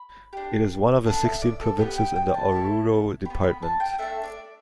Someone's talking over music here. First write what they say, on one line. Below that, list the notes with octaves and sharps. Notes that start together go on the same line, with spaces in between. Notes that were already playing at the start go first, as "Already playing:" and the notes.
It is one of the sixteen provinces in the Oruro Department.
Already playing: B5
D4 G4
B3 D4 A4 A5
E5
D5
A4
B3 D4 G4 B4
G5
G5
A5
A3 E4 A4
B3 G4 B5
B5
A5
G5
A3 D4 A4 E5
D5